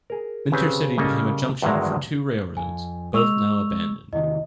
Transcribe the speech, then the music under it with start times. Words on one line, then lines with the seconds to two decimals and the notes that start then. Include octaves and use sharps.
Minter City became a junction for two railroads, both now abandoned.
0.10 G#4 A#4
0.52 C#3 C4 G4 G#4 B4 C#5
0.98 C#3 G3 A#3 C#4 A4 D#5
1.62 E2 G2 D3 D#3 F#3 G#3
2.57 F2 G#5
3.14 G#3 C#6 E6 F7
4.13 E2 C3 D#3 D#5